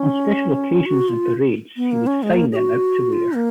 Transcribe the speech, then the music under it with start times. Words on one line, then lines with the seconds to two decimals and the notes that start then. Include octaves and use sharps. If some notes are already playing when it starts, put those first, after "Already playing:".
On special occasions and parades he would sign them out to wear.
Already playing: C#4
0.86 F#4
1.08 F4
1.77 B3
1.92 A#3
2.07 C#4
2.23 G#3
2.33 A#3
2.52 G#4
2.56 F#4
3.13 F4
3.35 A#3